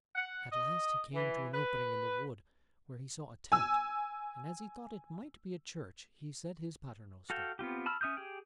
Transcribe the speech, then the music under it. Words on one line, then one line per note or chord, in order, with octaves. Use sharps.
At last he came to an opening in the wood where he saw a tent, and as he thought it might be a church he said his pater-noster to it.
F#5
D#5
E3
B4
G#5 E6
F#4 A4 F5 G5
B3 C4 F4 G4
A5 B5 E6 F6
C#4 E5 D#6 F6 G6
G4 G#4 G5